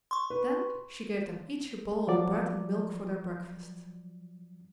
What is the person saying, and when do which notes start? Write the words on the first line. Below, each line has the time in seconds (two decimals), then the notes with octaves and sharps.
Then she gave them each a bowl of bread and milk for their breakfast.
0.11 C6 C#6
0.30 B4
2.08 F3 F#3 D5 D6